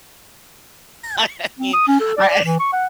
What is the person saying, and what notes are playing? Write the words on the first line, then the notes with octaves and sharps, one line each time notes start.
I mean, I
C4
D#6
C#4
A4
D5
D5
E3
C#6
F#5